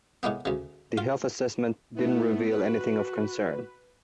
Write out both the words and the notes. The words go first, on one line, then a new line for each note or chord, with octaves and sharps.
The health assessment didn't reveal anything of concern.
A2 G#3 A#3 B3
D2 C#3
F4
A3 B3 E4
F#4 B4